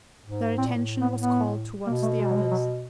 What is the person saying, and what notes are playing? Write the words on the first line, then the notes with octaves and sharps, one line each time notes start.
Their attention was called towards the others.
G#2
A2 C4
A#2
A2
B3
B3
B2 A#3
A3
G#3
G3
G#3
F#3